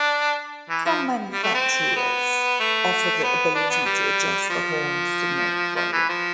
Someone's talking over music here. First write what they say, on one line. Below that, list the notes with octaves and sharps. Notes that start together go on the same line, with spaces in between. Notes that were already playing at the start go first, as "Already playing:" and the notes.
Some manufacturers offer the ability to adjust the horn signal volume.
Already playing: D4
E3
F3
G3
A3
C4
B3
A3
B3
D4
B3
G3
F3
F3
E3
F3